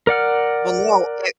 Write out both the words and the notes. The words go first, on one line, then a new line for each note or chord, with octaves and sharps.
Well, no, it
A#4 D5 F#5 F6